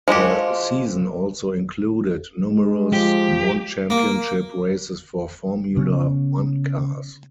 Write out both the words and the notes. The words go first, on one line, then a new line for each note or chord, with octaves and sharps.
The season also included numerous non-championship races for Formula One cars.
F3 G#3 F#4 G4
G#3
F3 G4
A#3
C#3 B3 C#4